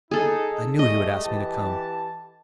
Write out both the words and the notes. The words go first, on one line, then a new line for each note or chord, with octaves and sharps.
I knew he would ask me to come.
D#4 G#4 A4
G3 A3 D#5
E3 G4 A5